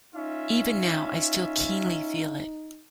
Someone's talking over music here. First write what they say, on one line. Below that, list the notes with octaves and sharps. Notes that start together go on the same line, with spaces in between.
Even now I still keenly feel it.
C#4 D#4 F4 E5